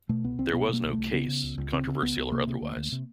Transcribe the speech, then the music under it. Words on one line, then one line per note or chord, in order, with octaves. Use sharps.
There was no "case," controversial or otherwise.
B2 A3
C2 B3
C2 C4
B2 B3
B2 A#3
C2
C2 A3
C#3 B3
C#3
C#2
C#2
C#3 C4
C#3
C#2 B3
C#2
C3 A#3
C3
D2
D2
C3